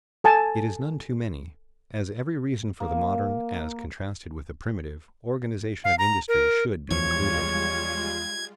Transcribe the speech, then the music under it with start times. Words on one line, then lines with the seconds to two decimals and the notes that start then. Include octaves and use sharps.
It is none too many, as every reason for the modern, as contrasted with the primitive, organization of industry should be included.
0.24 A4 G#5 A5
2.80 A#3
5.84 F5
5.99 A#5
6.28 A#4
6.91 E2 F3 G3 G#3 F4 C#5 G#6